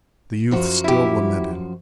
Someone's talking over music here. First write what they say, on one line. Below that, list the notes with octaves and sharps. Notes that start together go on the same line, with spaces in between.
The youth still lamented.
F#2 F3 F#4
E4 G4